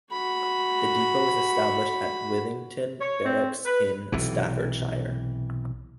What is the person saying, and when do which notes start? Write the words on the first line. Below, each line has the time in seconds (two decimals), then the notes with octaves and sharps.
The depot was established at Whittington Barracks in Staffordshire.
0.11 F#4 B5
3.00 C#5
3.24 C4
3.65 B4
4.12 B1 C3 E3